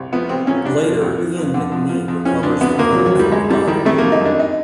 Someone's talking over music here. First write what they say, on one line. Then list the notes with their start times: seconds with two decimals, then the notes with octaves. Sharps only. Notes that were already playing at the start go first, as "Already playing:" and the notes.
Later, Ian McNee recovers the crown from Nagala.
Already playing: C2
0.12 F3 B3
0.29 C2 C4
0.47 A#2 C#4
0.65 C2 D4
0.84 F3
1.01 C2
1.18 F3
1.37 F2
1.54 D3
1.72 F2
1.89 F3
2.08 F2
2.25 F3 C#4
2.43 D2 D4
2.61 D3 B3
2.78 D2 A#3
2.92 F3 F#3
3.06 F#3
3.15 D2 G3
3.32 F#2 G#3
3.50 F#2 G3
3.67 D#3 G3
3.85 D#3 A3
3.98 A#3
4.04 F#2
4.12 D#4
4.21 F#2 D4
4.39 D#4